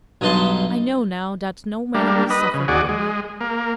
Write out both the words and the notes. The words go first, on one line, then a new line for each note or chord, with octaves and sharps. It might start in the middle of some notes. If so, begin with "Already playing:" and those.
'I know now that no man will suffer by me.
B1 G2 D#4 A5 C6
G3 A#3 D4
B4 D#5
C#3
D#2 F#4 G#4 D5
G#3
A#3